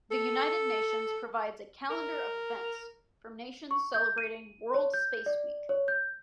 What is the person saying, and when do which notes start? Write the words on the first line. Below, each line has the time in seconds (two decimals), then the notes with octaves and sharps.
The United Nations provides a Calendar of Events from nations celebrating World Space Week.
0.11 A4
1.90 A#4
3.71 C#6
3.94 G6
4.18 D#7
4.74 C#5
4.94 G6
5.26 D5
5.69 C#5
5.88 G6